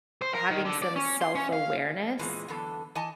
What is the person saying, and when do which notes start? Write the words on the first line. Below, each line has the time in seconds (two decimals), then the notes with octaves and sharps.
having some self-awareness
0.22 C5
0.34 A#4
0.50 D#3
0.65 D3
0.83 D5
0.96 C#4
1.21 C6
1.35 C#4
1.53 F5
2.19 E2 A#2 E3 G#3
2.48 E2 D3 F#3 B3 A4
2.95 E3 D#5 G#5 A5